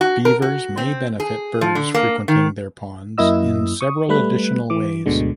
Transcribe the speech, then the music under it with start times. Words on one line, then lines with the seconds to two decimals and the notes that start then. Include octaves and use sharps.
Beavers may benefit birds frequenting their ponds in several additional ways.
0.01 F#4
0.25 A#4
0.42 F#4
0.78 C4
1.20 G#4
1.61 F3
1.75 D3
1.94 A#3
2.28 D#3
3.18 F#2 A#3 E4 D#5 E6
3.81 C#6 D#6
4.09 G3 A3 B4 B5 F#6
4.70 E3 D6
5.06 D2 G#2 B2 D3 G#3